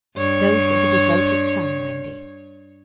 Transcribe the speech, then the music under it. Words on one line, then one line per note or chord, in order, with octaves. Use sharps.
'Those of a devoted son, Wendy.'
G2 C#5